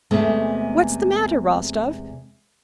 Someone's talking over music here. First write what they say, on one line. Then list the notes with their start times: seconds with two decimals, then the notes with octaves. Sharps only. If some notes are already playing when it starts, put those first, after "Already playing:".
What's the matter, Rostov?
0.11 E2 C3 G#3 A3